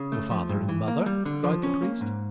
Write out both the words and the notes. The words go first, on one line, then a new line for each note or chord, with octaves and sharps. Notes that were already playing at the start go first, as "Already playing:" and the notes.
"Your father and mother?" cried the priest.
Already playing: C#3
A3
F3
G2
E3
A#3
G3
D3
F3
C#4
A#3
G#2